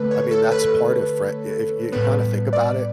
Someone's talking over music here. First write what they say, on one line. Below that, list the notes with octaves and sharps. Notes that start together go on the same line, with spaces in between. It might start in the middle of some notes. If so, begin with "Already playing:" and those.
I mean, that's part of frie i if you kind of think about it,
Already playing: D3 A3 A4 B4
C#5
A4
B4
A2 G3 B3 B4
D5